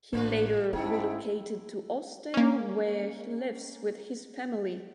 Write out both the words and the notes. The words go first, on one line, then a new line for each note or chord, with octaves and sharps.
He later relocated to Ostend where he lives with his family.
A1 A#3 D4 F4 B4
G#2 C#4 D#4 E4 A4 G5
A#3 C#4